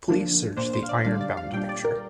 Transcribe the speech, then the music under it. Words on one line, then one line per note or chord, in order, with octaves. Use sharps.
Please search the Ironbound picture.
D3 F3 A#3 D4
A#2 A#3 D4 C5
C5
F5
D5
D3 G3 D4 F5
D5
F5
A#2 G3 D4 G5
D5
A#4